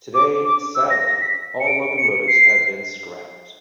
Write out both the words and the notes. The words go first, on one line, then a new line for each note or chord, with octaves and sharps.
Today Sadly all locomotives have been Scrapped.
D6
D6
E6
A#6
A#6
B6
C#7
D7
C#7
C7